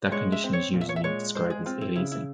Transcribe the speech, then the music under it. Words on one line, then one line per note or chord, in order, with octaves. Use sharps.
That condition is usually described as "aliasing".
G#3 C#5
E5
C4
C#5
A#2
E5
C#5
E5
G#3 C#5
G#3 C5
G#4
C4 F4
E4
C#3 E4
E4